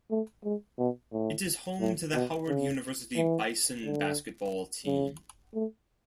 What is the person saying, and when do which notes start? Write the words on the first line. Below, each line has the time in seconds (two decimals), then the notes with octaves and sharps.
It is home to the Howard University Bison basketball team.
0.11 A3
0.44 G#3
0.79 B2
1.13 A2
1.80 A2
2.14 B2
2.48 C#3
3.16 E3
3.84 D3
4.86 C#3
5.54 A3